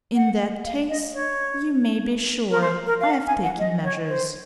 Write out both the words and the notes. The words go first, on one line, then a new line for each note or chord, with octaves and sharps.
In that case you may be sure I've taken measures.
F#5
F5
D#5
C#5
A#4
C5
A#4
F5
F#5
G#5
F#5
D#5
C#5
C5